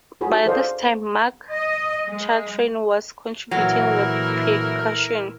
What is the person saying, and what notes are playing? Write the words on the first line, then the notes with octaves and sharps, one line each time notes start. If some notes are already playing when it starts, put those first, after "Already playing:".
By this time Marc Chartrain was contributing the percussion.
D#4 F#4 G#4 C#5 B5
G#4 A4 C5 D5 D#5 F5
D#5
G#3
A#2 E3 F#3 A3 E4 A#4